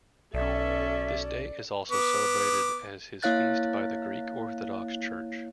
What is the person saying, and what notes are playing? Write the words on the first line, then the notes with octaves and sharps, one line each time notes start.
This day is also celebrated as his feast by the Greek Orthodox Church.
B1 C#4 A4 D5 E5
B3 D6
A#3 E4 C#5 F5 F#6 A6